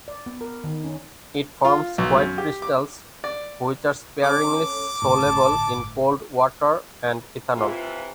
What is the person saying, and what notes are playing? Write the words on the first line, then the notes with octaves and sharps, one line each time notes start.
It forms white crystals, which are sparingly soluble in cold water and ethanol.
D5
B3
A#4
D#3
C#4
F4
B1
F#2
G4
D6
D5
C#4 A4 D6
G1 A2 A5
C3 E3 F4 A4